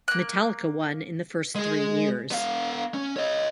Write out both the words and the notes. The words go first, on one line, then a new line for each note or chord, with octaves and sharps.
Metallica won in the first three years.
A#3 F#6
G#3 G#4
B3 F5
C#4
C#5 D#5